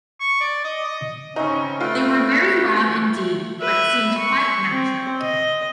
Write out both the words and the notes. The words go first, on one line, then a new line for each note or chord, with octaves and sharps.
They were very loud indeed, but seemed quite natural.
C#6
D5
D#5
D#5
C#3 C4 C#4 D#4 B4
A3 F4 B4 G5
B4 E5
C#6
C4
D#5